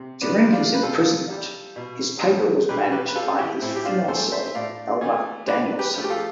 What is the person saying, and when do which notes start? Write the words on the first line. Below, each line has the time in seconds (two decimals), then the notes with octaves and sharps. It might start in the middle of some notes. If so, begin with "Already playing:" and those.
During his imprisonment, his paper was managed by his fiancee, Elma Danielsson.
Already playing: C3
0.21 B3 D4
0.37 G3
0.52 D4 F4
0.74 B4
0.83 C3 F4 A4
1.30 G3
1.76 B2
2.23 G3
2.69 B2 G4 B4
2.92 G4 B4
3.09 B4
3.15 G3 F4 A4
3.39 E4 G4
3.62 A2 C4 E4
3.76 G4
3.85 D4 F4
4.08 E3 A3 A4 C5
4.32 C5 E5
4.46 E5
4.55 A2 D5 F5
5.01 E3 A3
5.48 D3 B4 D5
5.79 G4 B4
5.94 F3 A3
6.04 G4
6.10 F4 A4